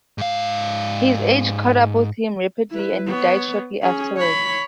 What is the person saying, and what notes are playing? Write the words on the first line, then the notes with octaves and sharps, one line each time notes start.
His age caught up with him rapidly and he died shortly afterwards.
G#2 F5
E4 B4
B3 C#5
C#4 G#4
C#5 B5